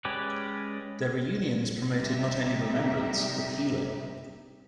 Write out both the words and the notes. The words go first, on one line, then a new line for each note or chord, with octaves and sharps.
The reunions promoted not only remembrance, but healing.
G#3 C#4 G4 B4 D5
C3 G3 D#4 G4 E5